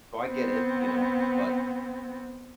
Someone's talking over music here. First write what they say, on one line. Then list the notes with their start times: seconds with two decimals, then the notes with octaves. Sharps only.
so I get it, you know, but,
0.22 B3 C4